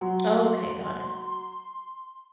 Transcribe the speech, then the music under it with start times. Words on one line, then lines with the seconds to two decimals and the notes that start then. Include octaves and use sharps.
Okay, got it.
0.01 F#3 C6